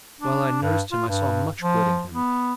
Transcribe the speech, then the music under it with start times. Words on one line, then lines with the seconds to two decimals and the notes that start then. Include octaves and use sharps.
While I nursed him I saw much good in him.
0.21 D4
0.62 G2
0.92 F4
1.08 G2
1.61 F3
2.13 B3